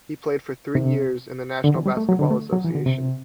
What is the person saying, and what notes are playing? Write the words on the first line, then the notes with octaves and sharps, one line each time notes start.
He played for three years in the National Basketball Association.
C3
D3
E3
G3
A3
F#3
D3
A3
F#3
E3
D3
C3